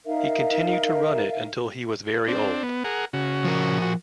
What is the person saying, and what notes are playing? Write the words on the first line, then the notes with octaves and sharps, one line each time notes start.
He continued to run it until he was very old.
D#4 A#4 E5 F5
C4 D4
B3
G#4 A#4 F#5
C#3 F#4
F3 A#4
F#4